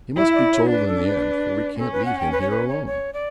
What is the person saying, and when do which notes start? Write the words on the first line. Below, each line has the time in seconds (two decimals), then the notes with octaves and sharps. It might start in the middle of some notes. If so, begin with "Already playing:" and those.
"He must be told in the end, for we can't leave him here alone."
0.16 E4 E5
0.35 D5
0.52 C#5
0.70 D4 B4
0.88 A4
1.07 B4
1.78 C#4 A4
1.92 B4
2.05 F#5
2.19 G5
2.32 B4
2.41 C#5
2.51 B4
2.69 C#5
2.86 C#5
3.13 D5